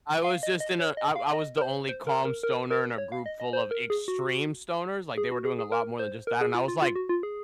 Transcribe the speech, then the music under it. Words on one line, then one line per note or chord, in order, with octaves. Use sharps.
I was just in a I I was the only calm stoner in a group full of extreme stoners like, they were doing a lot more than just that and I was, like,
F5
D#5
D#5
C#5
D#5
F5
D#5
A#4
C5
C5
A#4
A#4
A#4
A#4
C#5
F5
D#5
D#5
C5
A#4
G#4
F#4
G#4
F#4
G#4
G#4
A#4
C5
A#4
G#4
F4
F4
F4
F#4
F4
G#4